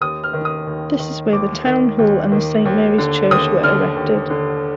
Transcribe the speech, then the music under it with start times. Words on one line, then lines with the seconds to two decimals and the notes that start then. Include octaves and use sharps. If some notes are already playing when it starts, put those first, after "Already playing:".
This is where the town hall and the Saint Mary's Church were erected.
0.01 D#2 D#6
0.24 F6
0.33 D#3
0.45 D#6
0.67 D#2
0.99 D#3
1.33 D#2 D6
1.66 D#3
1.99 D#2
2.32 D#3
2.65 D#2
2.98 D3
3.31 D#2 D#6
3.63 D3 F6
3.96 D#2
4.30 D3